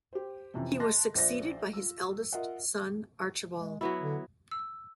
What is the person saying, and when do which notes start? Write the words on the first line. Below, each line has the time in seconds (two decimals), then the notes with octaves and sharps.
He was succeeded by his eldest son Archibald.
0.13 G4 C5
0.54 F2 C3 E3 C#4
0.80 D#5 A5 C6 F#6 A#6
1.15 A#1 C5 D5 E5 A#6
1.73 F4 E6
2.33 F4 A#4 D#5 E5 F#5
3.57 G#3
3.81 F#3 B3 E4 F#4
4.00 D3
4.51 E6